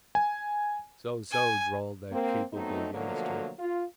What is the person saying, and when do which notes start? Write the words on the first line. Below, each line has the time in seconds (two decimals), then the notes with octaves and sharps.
"So, so," drawled that capable youngster.
0.15 G#5
1.31 G#5
2.11 A#3 C4
2.53 F#3 A3 B3 C4 D#4
2.92 B2 D3 F3 F#3 A3 A#3
3.59 F4